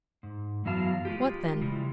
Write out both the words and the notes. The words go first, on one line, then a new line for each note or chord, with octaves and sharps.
"What then?"
G#2
F#2 E3 F#3 B3 F5 A5
G#3 F4 G4
C#3 E3 G3 G#3